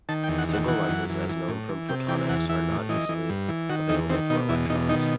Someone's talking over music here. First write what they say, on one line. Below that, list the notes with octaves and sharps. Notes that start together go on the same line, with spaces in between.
Single lenses as known from photonics are not easily available for electrons.
D#3 A5
G5
E2
F#5
D#3 F#5
E3 F#5
F#2
E3
E3
A2
E3
C3 G5
E3 G5
E2 F#5
E3 E5
A2
E3 D#5
E3
G2
E3
D#3 F#4
E2 D#4
D#3 C4
B2 D#4
E2 E4
B2 D#4
D#3 D#4